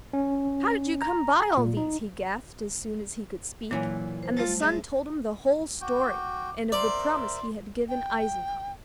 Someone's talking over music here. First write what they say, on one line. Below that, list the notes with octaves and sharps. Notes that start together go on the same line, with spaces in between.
'How did you come by all these?' he gasped, as soon as he could speak; and the son told him the whole story, and of the promise he had given Eisenkopf.
C#4
A#5
A#2
D#4
A#2 E3 F#3 C#5 G#5
C5
G3 A3 F4 A4
G#3 E5
F#4 G5 D6
A#4 C5 D5 E5 C6
G5